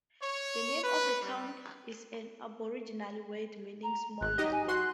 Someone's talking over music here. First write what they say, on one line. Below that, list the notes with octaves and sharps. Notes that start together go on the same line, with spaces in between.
The name of the town is an Aboriginal word meaning small lagoon.
C#5
B4
G3
A#5
G#1 F#6
D#4 G4 D#5
G#5
F#4 C6 F#6